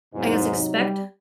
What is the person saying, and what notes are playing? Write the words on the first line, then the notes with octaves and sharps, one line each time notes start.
I guess, expect
E2 G#2 C3 F#3 D#4
G3